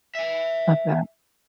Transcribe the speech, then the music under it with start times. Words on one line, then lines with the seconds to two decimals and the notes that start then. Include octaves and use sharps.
Love that.
0.15 E5 G#5